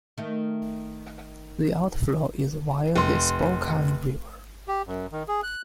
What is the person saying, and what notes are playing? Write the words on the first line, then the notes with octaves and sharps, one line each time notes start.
The outflow is via the Spokane River.
D#3 A3
F1 C6
G4
F#2
D#3
G#4
F#6